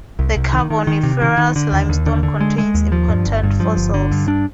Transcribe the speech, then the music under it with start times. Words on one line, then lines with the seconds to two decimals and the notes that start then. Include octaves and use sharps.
The Carboniferous Limestone contains important fossils.
0.19 C2
0.36 C2
0.53 D#3
0.70 D#3
0.87 D#3
1.03 C3
1.22 D#3
1.38 D#3
1.56 D3
1.73 D#2
1.89 D#2
2.06 D3
2.23 D3
2.40 G#3
2.58 G#3
2.74 D#2
2.92 F3
3.08 G2
3.25 G1
3.43 G2
3.60 F3
3.77 G1
3.94 D3
4.12 G2
4.28 D4